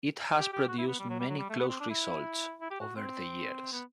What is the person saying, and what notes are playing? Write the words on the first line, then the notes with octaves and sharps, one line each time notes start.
It has produced many close results over the years.
G4
G4
F#4
E4
B3
G3
F#3
G3
F#3
G3
A3
B3
C4
D4
E4
E4
G4
F#4
C4
B3